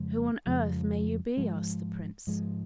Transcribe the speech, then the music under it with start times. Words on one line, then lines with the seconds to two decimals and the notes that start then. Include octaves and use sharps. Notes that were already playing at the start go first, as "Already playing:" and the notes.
"Who on earth may you be?" asked the Prince.
Already playing: F2 C#3 F3 G#3
0.47 F2 C#3 F3 G#3
1.37 G#2 F3 G#3
2.27 G#2 F3 G#3